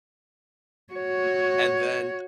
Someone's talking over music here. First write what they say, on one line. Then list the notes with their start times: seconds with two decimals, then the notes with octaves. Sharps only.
And then,
0.93 F#4 C#5